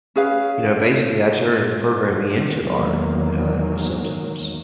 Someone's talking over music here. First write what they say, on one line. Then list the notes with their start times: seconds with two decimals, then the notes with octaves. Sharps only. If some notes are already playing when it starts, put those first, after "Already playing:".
you know, basically, I turn programming into art, uh, sometimes.
0.16 C#4 G#4 B4 F5
2.47 E2 D#3 F#3 G#3 A#3